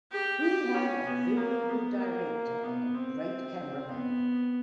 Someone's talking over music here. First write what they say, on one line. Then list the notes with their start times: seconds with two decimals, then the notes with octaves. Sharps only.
We had a very good director and a great cameraman.
0.11 G4
0.43 G4
0.74 C#4
1.06 B3
1.37 A#3
1.69 B3
2.00 A#3
2.63 B3
2.94 C4
3.89 B3